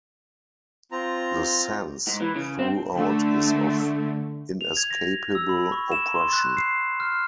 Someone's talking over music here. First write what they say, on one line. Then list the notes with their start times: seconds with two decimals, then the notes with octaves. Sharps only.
The sense throughout is of inescapable oppression.
0.92 C4 F4 A#5
2.07 G#2
2.21 E3
2.35 C#3
2.59 C4
2.94 D3 A3
4.61 F7
4.77 G#6
4.91 A#6
5.35 E6
5.49 B5
5.72 C#6
5.92 E7
6.15 C6
6.33 F#6
6.57 C7
7.00 F6